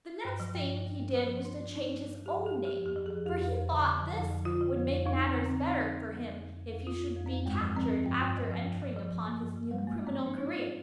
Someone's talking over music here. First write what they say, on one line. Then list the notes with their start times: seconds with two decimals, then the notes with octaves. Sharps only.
The next thing he did was to change his own name, for he thought this would make matters better for him if he should be captured after entering upon his new criminal career.
0.25 G2
0.40 F3
0.55 G2
0.70 G2
0.86 G2
1.00 G2
1.16 F3
1.30 G2
1.45 G2 D4
1.60 G2
1.75 F3 D#4
1.91 G2
2.05 G2
2.20 F3
2.26 G4
2.35 G2
2.46 F3 G4
2.65 F3 G4
2.81 F2 G4
2.96 F3
3.06 F3 G#4
3.26 F2 G4
3.41 F2
3.56 F2
3.71 D3
3.85 D3
4.00 F3
4.15 F2
4.30 F3
4.45 D3 F4
4.61 F3
4.76 F2
4.90 F2
5.06 F2 D#4
5.21 F2
5.27 C4
5.36 D3
5.46 D3 C4
5.66 F3 D#4
5.81 F2
5.96 F3
6.12 F2
6.26 F2
6.41 F2
6.56 F2
6.71 F2
6.87 F2 F4
7.02 F2
7.16 F2
7.26 C4
7.31 F2
7.46 G2 G#3
7.61 F3
7.77 F3 C4
7.91 F3
8.06 G2
8.21 G2
8.37 F3
8.51 F3
8.66 G2
8.82 F3
8.96 F3
9.11 G2
9.26 F3 A#3
9.42 G2
9.56 F3
9.71 G2 G3
9.78 G#3
9.87 G#2 A#3
10.02 F3 C4
10.17 F3
10.26 D4
10.31 G#2
10.38 D#4
10.46 G#2 F4